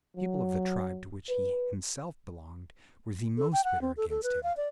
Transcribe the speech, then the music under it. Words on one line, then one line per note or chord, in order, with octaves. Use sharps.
The people of the tribe to which he himself belonged were the most bitter against him.
F#3
B4
A4
G5
F#5
C4
A4
A4
B4
F5
D5